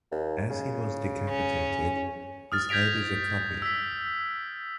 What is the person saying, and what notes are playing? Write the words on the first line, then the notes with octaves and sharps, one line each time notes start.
As he was decapitated, his head is a copy.
D#2
C#3
C#4
D#6 F6 A6
G6 G#6 A#6 B6 D7 F7
E6 B6